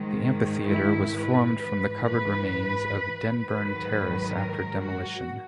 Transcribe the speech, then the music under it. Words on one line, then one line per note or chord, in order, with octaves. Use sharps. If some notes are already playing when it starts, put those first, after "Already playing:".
The amphitheatre was formed from the covered remains of Denburn Terrace after demolition.
Already playing: G#2 D#3 G#3
E4
B4
G#2 E3 G#3 B4
B4
G#2 D#3 F#3 B4
A#4
F#4